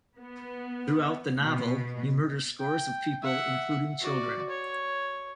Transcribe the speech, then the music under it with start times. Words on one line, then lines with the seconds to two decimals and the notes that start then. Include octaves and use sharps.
Throughout the novel, he murders scores of people, including children.
0.20 B3
1.40 B2
2.60 G5
3.22 E5 F#5
4.01 F#4 D5
4.50 C#5